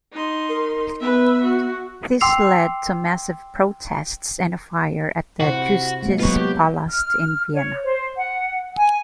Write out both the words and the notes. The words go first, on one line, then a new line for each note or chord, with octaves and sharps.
This led to massive protests and a fire at the "Justizpalast" in Vienna.
D#4 C6
A#4
B3 B4 E5
F#4
G5 C6 D6 E6 C7 F7
C3 E4 F#4 C5
G#3 A#3
F#3 B3 F4 B4 C#5
G4
F6
C#5
C5
F#5
G#5